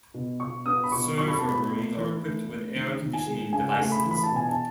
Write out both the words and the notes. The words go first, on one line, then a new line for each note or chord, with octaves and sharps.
Server rooms are equipped with air conditioning devices.
B2
B2 C#6
B3 D#6
B5
B2 C#6
F#3 C#6
B5
A5
B2 B5
A3
E3
A3
A3
D#3
D#3
G#5
G#3
C#3 G#5
G#5
A3
B5
E3
B5
A5
B2
G#5
A5